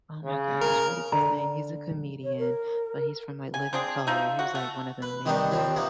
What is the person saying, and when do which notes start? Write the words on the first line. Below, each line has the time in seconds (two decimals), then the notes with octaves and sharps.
oh, my gosh, what is his name? He's a comedian, but he's from, like, Living Color. He was, like, one of the main
0.24 C#3
0.61 A#4
1.12 D3 A#5
2.24 C#5
2.38 A#4
3.54 G#5
3.73 C4 D4 G#4
4.07 F3 D#4 E5
4.39 F#4
4.55 A3
5.02 B4
5.26 D#3 G3 B3 D4 D#4
5.51 D#2 F3 C4
5.76 C3 A#3 B3